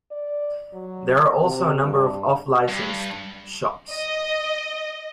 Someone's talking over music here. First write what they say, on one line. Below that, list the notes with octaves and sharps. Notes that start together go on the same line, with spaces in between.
There are also a number of off-licensed shops.
D5
F#3
C3
G2
G2
D#5